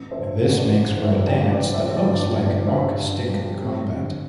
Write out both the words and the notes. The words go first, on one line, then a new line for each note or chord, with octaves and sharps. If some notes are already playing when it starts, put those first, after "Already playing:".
This makes for a dance that looks like "mock stick combat".
Already playing: A1
C5 E5
G2
A1
D5
G2 C5
C5 E5
G3
D5 G5
A1
D5
G3 C5 E5
D5 G5
G2
D5
G1
D5
G2 C5 E5
G2
G3
C4
D3